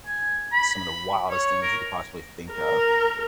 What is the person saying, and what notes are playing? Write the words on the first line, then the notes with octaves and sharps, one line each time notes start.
some of the wildest things you could possibly think of,
G#5
B5
C#5
A#4
A#4